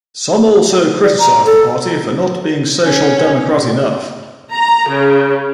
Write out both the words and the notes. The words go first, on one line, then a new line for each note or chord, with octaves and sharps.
Some also criticize the party for not being social democratic enough.
D5
A#5
A4
C#4
A#5
C#3